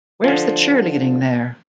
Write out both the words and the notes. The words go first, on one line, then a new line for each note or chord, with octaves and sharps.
Where's the cheerleading there?
D3 F3